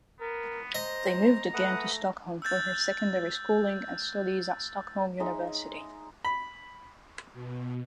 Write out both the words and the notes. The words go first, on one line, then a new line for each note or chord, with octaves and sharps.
They moved again to Stockholm for her secondary schooling and studies at Stockholm University.
B3 A#4
C5 D#5 A#5
A3 B4 F#5 D#6
E6 F#6 G6 A6
G#3 D#4 E5
B5
B2